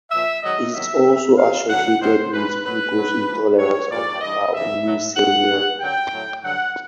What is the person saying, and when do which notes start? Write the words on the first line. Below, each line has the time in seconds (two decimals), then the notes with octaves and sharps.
It is also associated with glucose intolerance and hyperuricemia.
0.10 A#2 F3 E5
0.42 G#2 D#3 F#3 D#5
0.74 G#2 D#3 F#3 E5
1.05 B2 F#3
1.37 A2 E3 F5
1.68 G2 D3 F#3 F#5
2.00 G2 D#3 F#3 C5
2.32 G#2 F3 B4
2.64 B2 F#3 B4
2.95 B2 F#3
3.27 G#2 F3
3.59 A2 F#3 C#5
3.90 A#2 F3 D5
4.21 G2 E3 D#5
4.54 F#2 C#3 E3 E5
4.85 B2 F#3
5.16 B2 F#3 F#5
5.48 A#2 F#3
5.80 F#2 D3 F#3 G5
6.12 A2 F#3
6.43 G2 D3 F#3 F#5